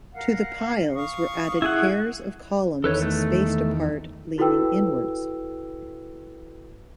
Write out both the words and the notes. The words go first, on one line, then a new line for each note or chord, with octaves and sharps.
To the piles were added pairs of columns spaced apart leaning inwards.
A#4 F5 F#5
F5 C#6 D#6
E4 G#4 F#5
E2 D#3 A4 B4 C#5
A3
E4 F#4 A4 B4 G5 E6